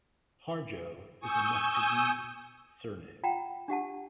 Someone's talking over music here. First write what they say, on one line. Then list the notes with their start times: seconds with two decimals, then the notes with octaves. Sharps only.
"Harjo" is a Muscogee surname.
1.19 G#5 C#6 D#6 E6 G6
3.23 F4 F#5 G5 A#5 B5
3.68 D4 G4 F#5 A5